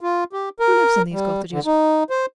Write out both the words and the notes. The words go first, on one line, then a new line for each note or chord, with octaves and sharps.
Who lives in these cottages?'
F4
G4
A#4
G3
D3
D#4
C5